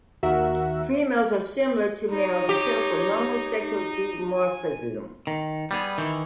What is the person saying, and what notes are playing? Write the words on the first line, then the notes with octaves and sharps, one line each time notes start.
Females are similar to males except for normal sexual dimorphism.
D#2 F#4 A#4 E5 F#5
D#4 C#5
G4
D#4
G#5
D#3
G3 B3 G#4
D#3 E3